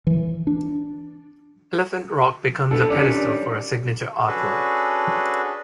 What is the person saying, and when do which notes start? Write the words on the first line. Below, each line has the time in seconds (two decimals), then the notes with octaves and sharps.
Elephant rock becomes a pedestal for a signature artwork.
0.07 E3
0.47 D4
2.71 D3 B3 A4
2.90 D#3 G3 C#4 D4
4.28 C#4 D4 F#4 G#4 A4 B4